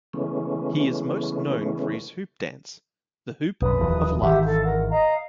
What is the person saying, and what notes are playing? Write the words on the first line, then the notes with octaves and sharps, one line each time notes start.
He is most known for his hoop dance, The Hoop of Life.
C#3 E3 G#3 A3 B3 C#4
B1 F#2 B4 D#6
D#1 F2 E3
G#1 D#3 E3 G4 E5 F#5
A4 F5
A#4 F#5
D#5 F5 A#5